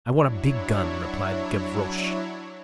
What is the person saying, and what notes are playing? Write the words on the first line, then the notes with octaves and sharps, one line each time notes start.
"I want a big gun," replied Gavroche.
F#3 D4 E4 C#5